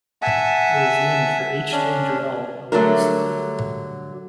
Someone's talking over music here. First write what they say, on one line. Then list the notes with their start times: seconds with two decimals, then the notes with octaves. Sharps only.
It was named for H. J. Jerauld, a legislator.
0.22 E5 F#5 G#5 A5
1.72 C#4 D4
2.72 D3 F#3 G3 A3 D4 A#4